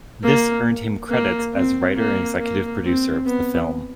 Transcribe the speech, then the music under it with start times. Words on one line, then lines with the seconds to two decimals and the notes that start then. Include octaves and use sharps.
This earned him credits as writer and executive producer of the film.
0.23 A#3
1.10 A#3
1.53 C4
1.96 A#3
2.39 A#3
2.83 C4
3.26 B3